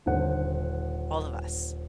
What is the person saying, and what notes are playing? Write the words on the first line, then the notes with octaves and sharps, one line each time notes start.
all of us?
D#1 D3 C5 F#5